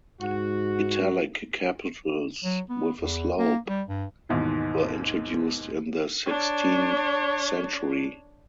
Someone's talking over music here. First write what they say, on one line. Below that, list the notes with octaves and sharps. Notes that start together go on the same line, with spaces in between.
Italic capitals with a slope were introduced in the sixteenth century.
G#2 F#4
F#3
B3
E2
A#3
G3
G2
D#2 G#2 B2 D#3 E3
D4 C#5